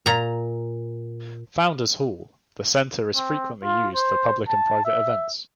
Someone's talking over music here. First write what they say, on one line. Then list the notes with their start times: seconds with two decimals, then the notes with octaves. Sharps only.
Founders Hall, the center is frequently used for public and private events.
0.06 A#2 A#5
3.16 C4
3.64 F4
3.95 C5
4.48 A5
4.85 E5